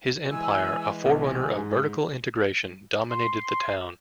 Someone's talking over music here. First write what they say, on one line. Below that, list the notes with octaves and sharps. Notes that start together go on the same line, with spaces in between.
His empire, a fore-runner of vertical integration, dominated the town.
E3 G#3 G#5 E6
B1 G#5
G#2
C6